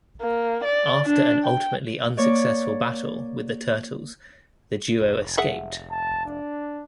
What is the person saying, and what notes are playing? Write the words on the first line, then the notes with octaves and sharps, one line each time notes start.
After an ultimately unsuccessful battle with the Turtles, the duo escaped.
A#3
D5
D4
G5
A#3 C#5 D5
F1
G#4 E5 F#5
A5
D4